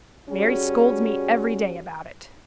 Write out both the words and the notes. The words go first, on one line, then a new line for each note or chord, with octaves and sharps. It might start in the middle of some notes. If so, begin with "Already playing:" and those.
Mary scolds me every day about it.
G3 C#4 F#4 G#4